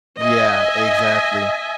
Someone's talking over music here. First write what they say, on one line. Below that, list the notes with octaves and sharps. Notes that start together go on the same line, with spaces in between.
Yeah, exactly.
D#5 E5 G#5